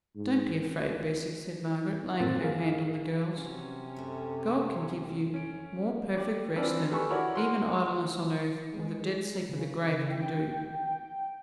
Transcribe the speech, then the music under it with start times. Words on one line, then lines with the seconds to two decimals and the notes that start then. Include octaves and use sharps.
'Don't be afraid, Bessy,' said Margaret, laying her hand on the girl's; 'God can give you more perfect rest than even idleness on earth, or the dead sleep of the grave can do.'
0.16 G#2
2.20 F#2 A2 A#3 C4 F#6 A6
2.41 G#4 A#4 F5
3.37 C3 C#4 F#4
3.96 F#2 A3
5.34 C#4 C#5 D7
6.16 G3 D5
6.56 E3 F3 C4 D4
6.91 G4 A4 B4 G#5 C#6
7.10 E4 F#4 A#4 C#5 D5 F#5
7.35 A#4 F#5 C6
8.72 G#3
9.49 C#3
10.10 G5